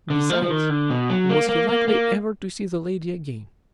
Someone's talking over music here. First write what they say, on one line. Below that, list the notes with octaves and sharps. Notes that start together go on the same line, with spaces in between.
Besides, was he likely ever to see the lady again?
D3
F3
F3
D#3
D3
B2
F#3
A#3
A#3
A#3
A#3